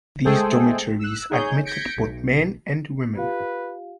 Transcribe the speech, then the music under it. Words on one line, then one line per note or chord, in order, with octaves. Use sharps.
These dormitories admitted both men and women.
G#3 A3 G#4 A4 C5 G5
E6 F#6
D#4 G#4 C#5 G6
G6 G#6 A#6 B6 C#7 D7
B1
F4 G4 B4 F5